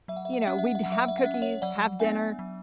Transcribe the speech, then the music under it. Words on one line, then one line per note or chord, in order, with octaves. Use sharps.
y you know, we'd have cookies, have dinner,
F#3 E5
F#5
E5
F#5
E5
C#4 F#5
E5
F#5
E5
F#3 F#5
E5
F#5
E5
F#5
C#4 E5
F#5
C#5 E5
F#3 D5 F#5
B3 D4 E5 G#5
F#3